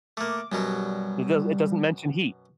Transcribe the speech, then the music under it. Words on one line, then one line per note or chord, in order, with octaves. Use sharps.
It does it doesn't mention heat.
A3 A#3 D6
F#2 B2 F#3 G3